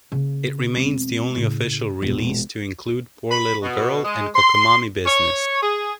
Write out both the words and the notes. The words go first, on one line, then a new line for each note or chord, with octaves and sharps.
It remains the only official release to include "Poor Little Girl" and "Cockamamie Business".
C#3 A#3
E1 C4
A2 C#3
E1 A#2
B5
B2
G#3
C6
C#5
G#4